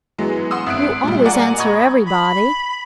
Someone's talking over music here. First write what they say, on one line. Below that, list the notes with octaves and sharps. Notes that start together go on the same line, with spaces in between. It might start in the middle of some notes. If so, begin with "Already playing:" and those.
You always answer every body.
E3 F#3 G#3 B3
F#5 C6 D#6 E6
G#1 E5 F#6 D7
A#2 G3
A#4 D5 F#5 G#5
D#5 A#5 B5 C#6 D#6 G#6
B5